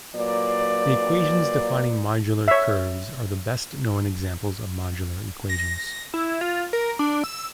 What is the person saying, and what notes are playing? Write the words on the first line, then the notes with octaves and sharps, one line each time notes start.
The equations defining modular curves are the best-known examples of modular equations.
A#2 F#3 A#3 B4 D5
C#5 E5
A#6
E4
F4
A#4
D4
E6